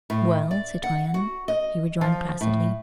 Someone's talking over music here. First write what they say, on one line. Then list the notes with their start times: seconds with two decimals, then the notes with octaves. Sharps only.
"Well, citoyenne?" he rejoined placidly.
0.10 A2
0.51 D5
0.84 F#5
1.14 F#4
1.48 D#5
2.01 F3
2.41 A2